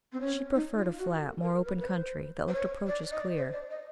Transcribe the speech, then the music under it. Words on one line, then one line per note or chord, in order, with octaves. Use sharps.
She preferred a flat, more open country that left approaches clear.
C4
C#4
D#4
F4
F#4
A#4
A4
A#4
B4
B4
C5
C5
C#5
D5
D#5
D5
C5
D5
D#5